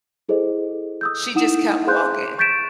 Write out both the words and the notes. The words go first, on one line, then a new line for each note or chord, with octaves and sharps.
she just kept walking,
E4 G#4 A4 C5 D#5
D#6 E6 G6
D#4 E4 F#5 D#6 E7
G#4 C5 F5 C6 F#6 G6
C#6 G6 A6 B6 D7 E7